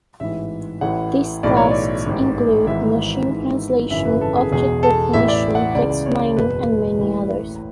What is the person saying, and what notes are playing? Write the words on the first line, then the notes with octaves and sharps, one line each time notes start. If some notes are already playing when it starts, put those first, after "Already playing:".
These tasks include machine translation, object recognition, text mining and many others.
A1 G#2 E3 E5
A1 A2 E3 F#5
B1 A2 E3 D5
C#5
D5
A1 G#2 E3
G#1 G#2 E3 E5
G#1 G#2 E3
G#1 F#2 C#3 E3 E5
B4
A4
G#4
E1 E2 B2 G#4
A4
A1 A2 E3 E5
D5
E5
F#5
C#2 C#3 E3 D5
C#5
F#1 E2 B2 B4
A1 A2 E3